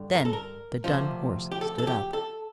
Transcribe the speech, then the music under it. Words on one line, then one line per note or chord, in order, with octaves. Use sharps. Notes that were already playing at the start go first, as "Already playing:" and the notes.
Then the dun horse stood up.
Already playing: G2 D3 G3
A#4
A4
A#4
D2 C3 F3
G4
A4
A4
G4
A4